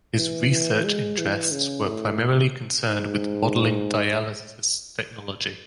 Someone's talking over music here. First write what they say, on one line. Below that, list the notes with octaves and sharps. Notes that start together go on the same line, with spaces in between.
His research interests were primarily concerned with modeling dialysis technology.
E3
E3
G#3
E3
C#3
A2
G#2